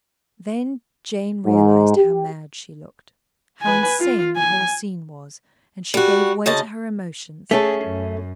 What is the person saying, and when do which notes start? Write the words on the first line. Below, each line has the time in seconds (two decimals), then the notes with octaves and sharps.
Then Jane realised how mad she looked, how insane the whole scene was, and she gave way to her emotions.
1.45 G#2
1.96 G4
3.62 B4 G#5
4.00 F4
4.36 G#5
5.94 G3 F#4
6.46 D2 C#3 D#5 A5
7.51 A3 C#4 G#4 A4
7.84 F#2